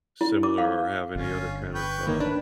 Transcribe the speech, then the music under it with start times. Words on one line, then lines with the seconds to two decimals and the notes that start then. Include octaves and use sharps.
similar, or have any other kind of, uh,
0.21 E4
0.43 D6
0.58 F5
1.15 G1 C#4 F4
1.74 B4 G5 C#6
2.07 D#3 A#3 C#5
2.20 D4 B4